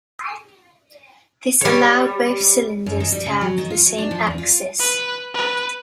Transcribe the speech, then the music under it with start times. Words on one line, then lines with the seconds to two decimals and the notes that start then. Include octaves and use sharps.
This allowed both cylinders to have the same axis.
1.61 G3 C#5
2.86 F#2
3.00 D#3
3.12 G3
3.26 C#3
3.41 F#3
3.58 D#3
3.70 F4
3.86 F#3
3.98 D4
4.11 F3
4.27 E2
4.38 F4
4.80 B4
5.34 B4